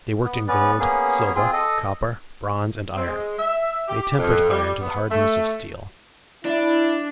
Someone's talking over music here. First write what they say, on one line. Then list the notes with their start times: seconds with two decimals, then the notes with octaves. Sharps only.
They worked in gold, silver, copper, bronze, and iron; they tempered iron to the hardness of steel.
0.24 B3
0.48 B3 C#4 B4 D5
0.79 A#3 B3 C#4 G#4
1.35 C4 F4 G#4
1.53 A4 D#5
2.95 C4
3.07 G#3
3.38 E5
3.88 G4
4.19 F2
4.51 G3
4.81 B3
5.11 A3
6.45 D4 E4